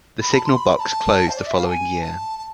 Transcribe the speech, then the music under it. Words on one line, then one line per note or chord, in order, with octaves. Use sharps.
The signal box closed the following year.
B5
A5
C6
B5
B5
A5
C5
D5
E5
F5
A5
G#5
A5
A5